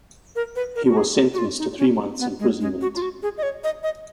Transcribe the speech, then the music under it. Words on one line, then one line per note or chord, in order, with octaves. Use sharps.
He was sentenced to three months' imprisonment.
A#4
B4
A#4
F#4
G#4
F#4
F4
D#4
C#4
B3
G#3
G#3
F#4
F4
F#4
G#4
D#5
C#5
D#5
D#5